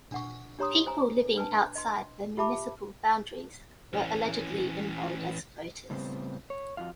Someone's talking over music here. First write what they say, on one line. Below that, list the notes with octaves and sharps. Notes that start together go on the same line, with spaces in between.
People living outside the municipal boundaries were allegedly enrolled as voters.
D4 F#5 C#6
D4 G4 C#5 A#5 C6 D#6
C5 G#5 A#5
D4 B4 G#5 A5
D#5 C6
F4 G4 E5 A5 B5 D6
E3 C#4
A2 C#3 G3 B3 C4
C#5
F2 F4 F#4 F5